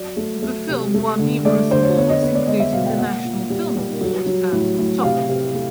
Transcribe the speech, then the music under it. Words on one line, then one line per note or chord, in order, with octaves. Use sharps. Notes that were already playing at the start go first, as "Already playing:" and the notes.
The film won numerous awards including the National Film Award and Top Award.
Already playing: F#3 D5
A3
A3
C3
A3
D3
A3 D5
D3 C5
C#5
B3 C#5
D#5
B3 C#5
D5
G#3 D#5
E5
B2 F5
G5
A#3 F#5
A#2
G3
G3
F#3
F#3
A2
A2
C3 F5
C3
A3